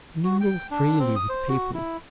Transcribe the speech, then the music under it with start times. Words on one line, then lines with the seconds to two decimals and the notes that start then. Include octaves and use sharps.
Mingle freely with people.
0.24 F#4
0.41 G5
0.71 D4
1.00 C4
1.16 D#6
1.29 C5
1.48 F#4
1.75 E4